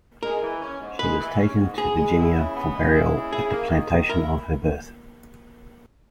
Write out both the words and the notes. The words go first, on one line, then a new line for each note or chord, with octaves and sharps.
She was taken to Virginia for burial at the plantation of her birth.
G#3 A#4
E3
C#4
G#2
G#3 B4
E3
C#4
G#2
B3 G#4
G#3
E4
C#3
B3
G#3
E4
C#3
E4 G#4
A#3
D#3
D#3
E4 A#4